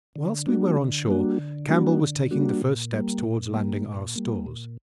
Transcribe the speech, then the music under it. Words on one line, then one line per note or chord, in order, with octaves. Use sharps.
Whilst we were on shore Campbell was taking the first steps towards landing our stores.
D3
G3 A#3 D4 F#4
D3
G3 A#3 D4 F#4
D3
G3 A#3 D4 F#4
D3
G3 A#3 D4 F#4
A#2
G3 A#3
A#2
G3 A#3
A#2
G3 A#3
A#2